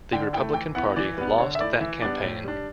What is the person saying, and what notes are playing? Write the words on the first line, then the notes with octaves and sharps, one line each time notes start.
The Republican Party lost that campaign.
D3 G5
A3 E4 G5
E3 G5
B3 E4 F#5
E3 D5
G3 B3 B4
D3 C#5
E5
A3 E4 D5
E3 E5
G3 B3 D4 D5
A2
G3 D4